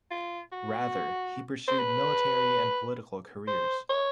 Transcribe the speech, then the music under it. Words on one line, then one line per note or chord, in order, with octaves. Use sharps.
Rather, he pursued military and political careers.
F4
F#4
C5
B4
C5
C#5